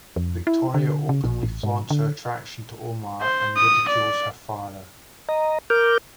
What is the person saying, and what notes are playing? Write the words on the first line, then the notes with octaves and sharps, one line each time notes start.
Victoria openly flaunts her attraction to Omar and ridicules her father.
F2
E4
D3
C#3
A#1
A1
G#2
D3
C5
D#6
D5
D#5 A#5
A#4 D6 F6 G6